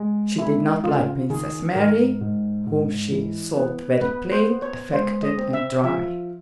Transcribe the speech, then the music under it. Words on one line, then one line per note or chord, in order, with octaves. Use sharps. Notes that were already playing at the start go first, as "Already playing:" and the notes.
She did not like Princess Mary, whom she thought very plain, affected, and dry.
Already playing: G#3
G#3 E4
C#3 F4
D#3 G#4
G#2 A#4
G#2
G#2
E3
B3
B3 B4
C5
B3
C#5
G#3 C5
D#5
C4
E5
F3 E5